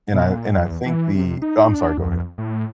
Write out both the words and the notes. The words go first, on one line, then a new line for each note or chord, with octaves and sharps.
And I and I think the Oh, I'm sorry, go ahead.
B2
A#2
E2
E3
C3
D#4
D4
F2
A2